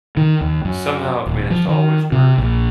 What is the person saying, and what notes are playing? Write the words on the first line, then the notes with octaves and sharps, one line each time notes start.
somehow managed to always work,
D#3
D#2
F#2
D#1
F3
D#3
C3
A#1